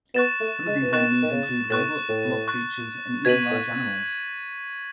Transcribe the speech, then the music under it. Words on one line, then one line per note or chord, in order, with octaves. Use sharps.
Some of these enemies include robots, blob creatures, and even large animals.
B3 C#6 F#6 A6 E7
A3
G#3
E3
D#3 C#6 F#6 A6 E7
D#3
C#3
A2 C#6 F#6 A6
A2
C#6 F#6 A6
B2 G#6 B6 D#7 F#7
A2